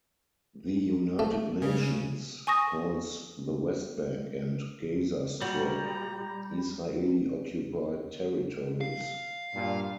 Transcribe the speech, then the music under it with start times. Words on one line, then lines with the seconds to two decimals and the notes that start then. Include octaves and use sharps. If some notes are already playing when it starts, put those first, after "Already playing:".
The United Nations calls the West Bank and Gaza Strip "Israeli-occupied territories".
1.19 A3
1.62 C#3
2.47 G#5 C#6 D#6 A#6
5.41 A#2 G3 F#4 C#5 A#5
8.81 F5
9.55 G2 A#2